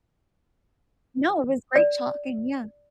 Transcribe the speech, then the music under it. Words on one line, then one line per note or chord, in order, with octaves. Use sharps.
No, it was great talking yeah,
D5